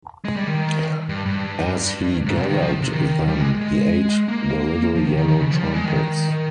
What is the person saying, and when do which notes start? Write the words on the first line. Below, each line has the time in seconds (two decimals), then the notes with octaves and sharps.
As he gathered them, he ate the little yellow trumpets.
0.25 G#3
0.36 G3
0.47 D#3
1.09 G2
1.26 G2
2.26 G#2
2.37 C3
2.48 D#3
2.60 F3
2.82 C3
2.93 D#3
3.28 G3
3.38 G#3
3.61 G#3
4.28 A#3
4.95 F3
5.06 D#3
5.17 D#3
5.28 D#3
5.40 C#3
5.51 F3
5.63 G3
5.74 G#3
5.85 D#3
5.95 D#3
6.30 D#3